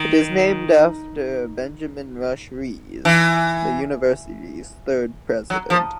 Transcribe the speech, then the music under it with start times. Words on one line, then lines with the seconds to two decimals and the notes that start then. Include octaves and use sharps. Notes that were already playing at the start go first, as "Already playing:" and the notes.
It is named after Benjamin Rush Rhees, the university's third president.
Already playing: D#3
3.05 E3
5.50 F#3
5.70 F3